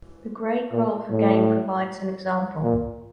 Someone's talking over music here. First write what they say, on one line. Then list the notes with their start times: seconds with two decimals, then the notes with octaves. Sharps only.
The Gray graph again provides an example.
0.72 A#2
1.10 A2
2.63 A#2